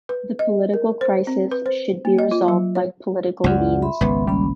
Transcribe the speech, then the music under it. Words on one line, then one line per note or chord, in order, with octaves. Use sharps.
The political crisis should be resolved by political means.
B4
D#5
A#4
C5
C4
B4
C5
A#3
D#5
F4
F#3
C#5
C#2 F#2 C#3 F4 D5 F#5
E5 B5 C6
G#1 C#2 B3
G3 A#3 C#4 B5